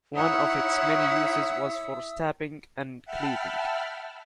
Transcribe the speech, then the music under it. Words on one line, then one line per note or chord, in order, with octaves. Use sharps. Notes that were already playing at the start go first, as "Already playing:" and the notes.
One of its many uses was for stabbing and cleaving.
D#4 E4 C#5 E5 F#5 D#6 E6
E5 F#5 G5 A5 B5 F6